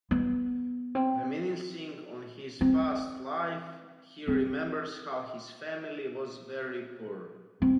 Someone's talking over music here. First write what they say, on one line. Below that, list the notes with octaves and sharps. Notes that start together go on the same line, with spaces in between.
Reminiscing on his past life, he remembers how his family was very poor.
B3
C4
C4
C4
C4